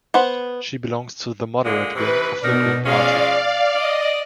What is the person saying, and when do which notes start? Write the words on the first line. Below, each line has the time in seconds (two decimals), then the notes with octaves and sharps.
She belongs to the moderate wing of the Green Party.
0.14 B3 B4 C5 F#5
1.64 A#2 D3 G#3
1.95 C3 D#3 E3 B4
2.42 B2 D4 D#4 A#4
2.84 F3 G#3 C#4 D5 F5
3.75 D5 D#5